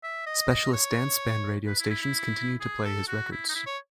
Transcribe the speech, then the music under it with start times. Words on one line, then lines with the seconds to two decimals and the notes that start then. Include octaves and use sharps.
Specialist dance band radio stations continue to play his records.
0.03 E5
0.27 D#5
0.50 D#5
0.73 C#5
1.67 B4
1.79 E4
1.90 E4
2.02 E4
2.61 G#4
2.85 A4
3.08 F#4
3.32 E4
3.49 D#4
3.55 E4
3.66 C#5